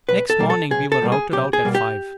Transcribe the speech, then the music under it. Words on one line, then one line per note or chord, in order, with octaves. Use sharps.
Next morning we were routed out at five.
B1 B4
A4
B2 G3 A#3
A4
B1 G#4
A4
B2 G3 A#3
G#4
B1 G4
G#4
B2 G3 A#3
G4